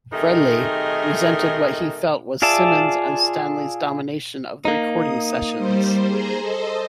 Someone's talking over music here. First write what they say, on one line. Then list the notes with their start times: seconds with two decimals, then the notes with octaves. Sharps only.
Frehley resented what he felt was Simmons' and Stanley's domination of the recording sessions.
0.12 C3 D#3 A3 D#4 G#4 A#4
2.42 F4 G#4 D5 E5 A5
4.65 A#3 D#4
4.96 D#6
5.56 G3 C5
6.07 G#4 C5 A#5
6.40 A4 C5 D#5